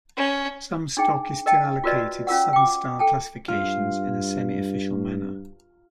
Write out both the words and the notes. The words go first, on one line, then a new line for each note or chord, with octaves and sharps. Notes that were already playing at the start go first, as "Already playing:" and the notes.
Some stock is still allocated Southern-style classifications in a semi-official manner.
C#4
D4 D#4 G#4 G5
A#4 D#5 G5 A5
F4 F#4 A#4 B4 D5 D#5
C#4 F4 A#4 F#5
G5 D6
A4 G5 A5
G2 F4